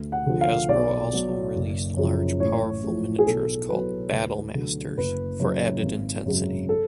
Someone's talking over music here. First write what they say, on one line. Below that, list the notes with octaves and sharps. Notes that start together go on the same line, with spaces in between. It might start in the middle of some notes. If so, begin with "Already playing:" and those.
Hasbro also released large, powerful miniatures called "Battle Masters," for added intensity.
Already playing: D2
F#5
D3 F3
F5
B1 D5
B2 F#3
F#1
F#2 C#3 F3
A1 C#5
A2 F3
G#4
B1 A4
B2 F#3 B4
D2
D3 F#3
F#1 B4
F#2 C#3 F#3
G#1
F#2 C#3 F#3
A4